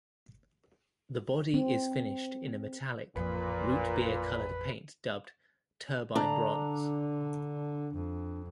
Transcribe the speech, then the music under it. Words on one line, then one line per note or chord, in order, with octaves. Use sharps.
The body is finished in a metallic, root beer-colored paint dubbed "turbine bronze".
C4
A1 F2 A#2 F3 B4
D3 D4 A#5
F2